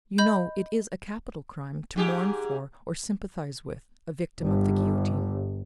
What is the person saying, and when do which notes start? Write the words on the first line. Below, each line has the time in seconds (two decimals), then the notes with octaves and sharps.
You know it is a capital crime, to mourn for, or sympathise with, a victim of the Guillotine.
0.18 D#5 B5 G6
1.96 G#2 G4 G#4
4.41 G1